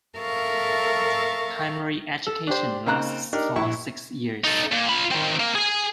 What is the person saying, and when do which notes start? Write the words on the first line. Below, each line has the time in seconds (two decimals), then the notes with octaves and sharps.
Primary education lasts for six years.
0.18 A4 A#4 E5 F5 C#6
2.27 A4
2.47 D4 G4 C5
2.86 C#3 A#3 C4 D#4 A#5 F#6
3.33 D4 D#4 G4 A#4
3.56 A#1 E4 C#6
4.44 D#4 A4
4.72 A#2
4.88 F4 B5
5.11 D#3 C4
5.40 A#3
5.55 G#4 G#5